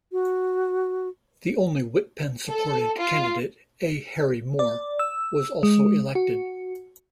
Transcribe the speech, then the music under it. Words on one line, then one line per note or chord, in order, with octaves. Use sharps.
The only Wittpenn-supported candidate, A. Harry Moore, was also elected.
F#4
A4
F4
D5
E6
G#3
F#4